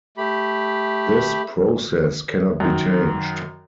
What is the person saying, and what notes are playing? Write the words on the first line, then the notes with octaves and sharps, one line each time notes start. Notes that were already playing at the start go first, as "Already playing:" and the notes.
This process cannot be changed.
A3 G4 B5
F#2 D#3